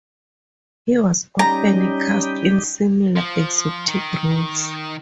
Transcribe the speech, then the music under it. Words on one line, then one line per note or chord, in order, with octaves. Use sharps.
He was often cast in similar, exotic roles.
G3 C#4 D#4 G4 A#5
F3
D#3